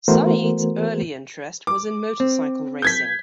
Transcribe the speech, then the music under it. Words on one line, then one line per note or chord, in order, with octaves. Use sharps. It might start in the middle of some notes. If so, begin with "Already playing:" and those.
Said's early interest was in motorcycle racing.
E3 A3 B3 F#4 A#4 C5
D6
C4
G6 G#6 B6